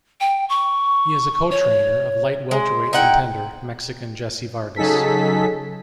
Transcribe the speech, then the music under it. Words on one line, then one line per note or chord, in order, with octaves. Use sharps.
He is a co-trainer of light welterweight contender, Mexican Jesse Vargas.
G5
C#6
C#5
G#3
D#4 E4 F#5 G5
C#3 F#3 D#4 G#4 A4 B6